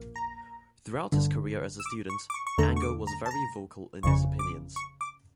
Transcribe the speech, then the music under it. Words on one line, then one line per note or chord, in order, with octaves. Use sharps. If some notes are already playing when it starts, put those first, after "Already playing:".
Throughout his career as a student, Ango was very vocal in his opinions.
Already playing: A#1 A#3
A#5
G1 G2 D3
E6
D6
C#6
D6
C#6
C#6
E2 D3 A3 A#5
C#6
D6
A#5
A5
A#5
G1 F2 C#3 C#6
D6
C#6
D6